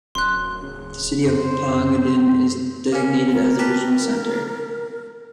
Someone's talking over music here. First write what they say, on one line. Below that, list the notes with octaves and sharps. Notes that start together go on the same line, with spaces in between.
The city of Pagadian is designated as the regional center.
D1 F#2 C6 F#6
C#3
F#2 C5
A#3 C#4
A#4
G4 B4 A5